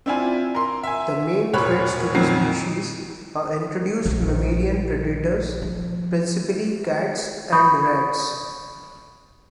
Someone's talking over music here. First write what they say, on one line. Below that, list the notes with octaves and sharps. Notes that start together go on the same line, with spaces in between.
The main threats to the species are introduced mammalian predators, principally cats and rats.
C4 D4 E4 F4 G#5
A#4 C6
E5 G#5
E1 A#2 C#5 B5 F#6
F2 A#2 D#3 F#3 C7
A#1
F3
B5 C#6 D#6 G6